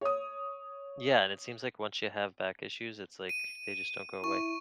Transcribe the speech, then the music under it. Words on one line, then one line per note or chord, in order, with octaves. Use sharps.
Yeah, and it seems like once you have back issues, it's, like, they just don't go away.
C#5 D#6
D#7
E4 C#6